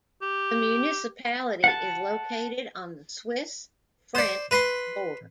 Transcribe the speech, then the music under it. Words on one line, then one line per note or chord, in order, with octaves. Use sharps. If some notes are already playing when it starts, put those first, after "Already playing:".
The municipality is located on the Swiss-French border.
G4
F#5 A5
C5 D5
B4 B5 C6